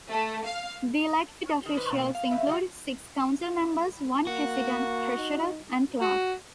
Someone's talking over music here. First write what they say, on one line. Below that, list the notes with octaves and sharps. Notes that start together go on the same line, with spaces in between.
The elected officials include: six council members, one president, treasurer and clerk.
A3
F5
D#3
B4 C5
B2 A#3 B3
F5
E2 E5
G3 D4 F#4
A#3 F#4
D#4
F#4